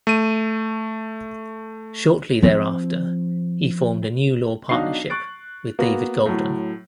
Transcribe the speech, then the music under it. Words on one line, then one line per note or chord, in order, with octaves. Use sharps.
Shortly thereafter, he formed a new law partnership with David Golden.
A3 D#7
F3 C4
B1 D4 D#4 F#4 F5 C7
C#6 F#6 A6 D7
A#3 B3 F#4 B4
A2 F#3